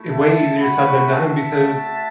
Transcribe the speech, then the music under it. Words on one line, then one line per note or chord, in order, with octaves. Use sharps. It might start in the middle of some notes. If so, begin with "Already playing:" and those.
way easier said than done because,
Already playing: A3 E4
E5 A5
A3 F#4 F#5 B5
E5 A5
A3 F#4